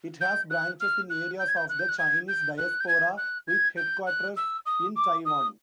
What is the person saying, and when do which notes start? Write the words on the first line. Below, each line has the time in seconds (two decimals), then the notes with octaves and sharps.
It has branches in areas of the Chinese diaspora, with headquarters in Taiwan.
0.21 G6
0.50 F#6
0.81 F6
1.10 F#6
1.39 G6
1.48 G#6
1.57 G6
1.69 F#6
1.79 G6
1.89 F#6
1.99 G#6
2.28 G6
2.58 F#6
2.80 G6
2.88 G#6
3.18 F#6
3.48 G#6
3.77 G6
4.07 F#6
4.37 E6
4.66 D#6
4.96 D6
5.25 D#6